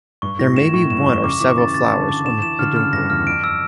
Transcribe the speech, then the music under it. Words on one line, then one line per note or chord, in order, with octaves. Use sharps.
There may be one or several flowers on the peduncle.
G2 C#6
A2 A#6
A2 E7
A2 C#6
G2 E7
F2
C#6
C#3 D6
E3 D6
C#3 A6
C#3 A6
A5
D3
D6
D3 E7
E3 E7
D3 F6
C#3 F6
G2 A#6
E2 F6
F2 D7
E6